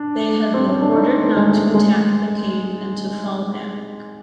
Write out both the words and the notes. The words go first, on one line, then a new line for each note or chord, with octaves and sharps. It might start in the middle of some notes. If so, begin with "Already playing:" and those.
They have been ordered not to attack the cave and to fall back.
Already playing: D4
C4
C#4
D4
D#4
A3
G#3
A3
A3
G#3